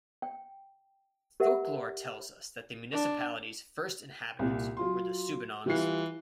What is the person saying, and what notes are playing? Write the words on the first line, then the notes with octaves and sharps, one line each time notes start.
Folklore tell us that the municipality's first inhabitants were the Subanons.
G5
G4 A#4 E5 F#5
D4
C2 A#2
F#3 F4 C6
E3 G3 F4 C7